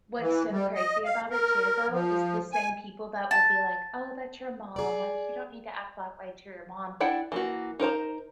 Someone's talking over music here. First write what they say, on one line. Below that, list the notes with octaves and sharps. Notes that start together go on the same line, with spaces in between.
What's so crazy about it too, though, is the same people that will be like, "Oh, that's your mom, like you don't need to act that way to your mom."
E3
G3
D#5
F5
A#4
F3
G#5
A5
G#4 D5
D4 E4 F#5 G5
E3 A#3 F#4
D#4 A#4 C5 A#5